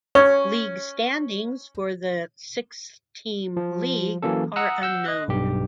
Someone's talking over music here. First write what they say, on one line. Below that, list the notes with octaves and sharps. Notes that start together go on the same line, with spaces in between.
League standings for the six–team league are unknown.
C#4 C#5
F3
E3 F#3 A#3 C#4 A4
F#5 A#5 D#6 E6 F#6
F#5 E6 G6
D#5 F#6
B1 G2 G4